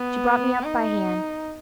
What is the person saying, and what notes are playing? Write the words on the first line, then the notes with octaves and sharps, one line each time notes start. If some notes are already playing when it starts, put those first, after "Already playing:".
She brought me up by hand.
Already playing: B3
D#4